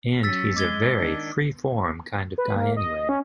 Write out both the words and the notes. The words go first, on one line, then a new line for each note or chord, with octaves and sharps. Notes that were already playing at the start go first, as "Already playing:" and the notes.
And he's a very free-form kind of guy anyway.
F#3 C#4 E6 A6 B6
G#3 D6 G#6 G7
D#3 D4
B4
A#3
D#5
C#4